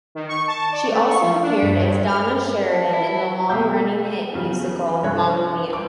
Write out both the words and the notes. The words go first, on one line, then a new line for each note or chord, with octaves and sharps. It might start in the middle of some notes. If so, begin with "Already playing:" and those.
She also appeared as Donna Sheridan in the long-running hit musical, "Mamma Mia!".
D#3
C#6
A5
D5
A3
C#6
F3
D4
G2
G2
F6
A5
E4
B2 F5 G5 E6 G6
E2 C#3 F3 G3
C2 G2 D4 A4 C#5 F#6
C5 D6